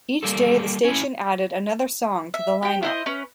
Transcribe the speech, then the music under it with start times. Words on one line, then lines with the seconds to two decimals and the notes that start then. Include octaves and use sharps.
Each day the station added another song to the line up.
0.23 G3 A#3 A4
0.85 C#4 E4
2.34 E5
2.63 G4 G5
2.83 E4 C5 D#5
3.06 C#4 B4